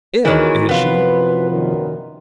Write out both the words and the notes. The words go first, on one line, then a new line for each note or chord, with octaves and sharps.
'Ill! is she?
D#3 E3 B3 F#4 G#4 A#4 C#5
F#2 C3 E3 F3 B3 F4 B4
F#2 A#2 D#3